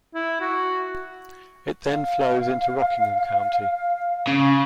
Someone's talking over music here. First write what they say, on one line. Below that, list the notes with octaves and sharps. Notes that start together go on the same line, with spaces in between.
It then flows into Rockingham County.
E4
F#4
F5
C#3